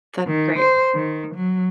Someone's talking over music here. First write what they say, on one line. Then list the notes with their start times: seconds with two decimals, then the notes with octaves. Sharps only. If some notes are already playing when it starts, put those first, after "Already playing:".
That's great.
0.27 D#3
0.59 C5
0.94 D#3
1.35 F#3